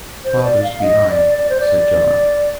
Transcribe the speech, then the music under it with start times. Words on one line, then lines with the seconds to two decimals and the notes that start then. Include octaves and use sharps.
'Father's behind,' said John.
0.25 C5
0.44 D5
0.63 F5
0.82 D#5
1.10 D5
1.38 D5
1.50 C5
1.60 D5